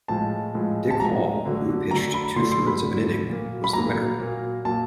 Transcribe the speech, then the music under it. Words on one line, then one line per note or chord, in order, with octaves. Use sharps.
Dick Hall, who pitched two-thirds of an inning, was the winner.
A2 F3 G#3 A5
A2 F3 G#3
A5
A2 F3 G#3 A#5
D3 F#3 A3
D3 F#3 A3 A#5
B5
D3 F#3 A3 C6
C6
B5
D3 F#3 A3
A#2 F#3 A#3
B5
A#2 F#3 A#3 A#5
A#2 F#3 A#3
A#2 F#3 A#3 A5